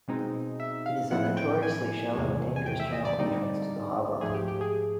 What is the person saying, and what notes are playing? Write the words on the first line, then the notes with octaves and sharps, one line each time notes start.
It is a notoriously shallow and dangerous channel entrance to the harbour.
B2 G#3 C4 D#4
E5
F5
A2 F3 G#3 C4 E4 F#5
G5
G#5
E2 C3 D#3 G#3
G#5
G5
E5
D#5
D5
D3 G3 C4 D#4
G#2 F3 A3 G#4
G4
G4
G#4